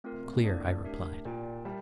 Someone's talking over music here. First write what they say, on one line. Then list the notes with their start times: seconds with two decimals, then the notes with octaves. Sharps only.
"Clear," I replied.
0.04 A3 C4 F4 A#4
0.14 C3
0.24 A#2
0.34 A2
0.44 A#3 D4 A4 D5
0.85 A3 D4 G4 A#4 E5
1.25 A#2 G4 D5 G5
1.65 G3 A#4 E5 A5